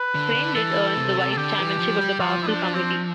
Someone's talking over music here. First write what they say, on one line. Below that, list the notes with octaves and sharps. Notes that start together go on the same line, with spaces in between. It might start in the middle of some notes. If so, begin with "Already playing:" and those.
Crane did earn the vice-chairmanship of the powerful committee.
Already playing: B4
D3
D3
E3 A4
C3
A4
D3 G4
E3
F3
G3
F3 F4
E4
D4
C4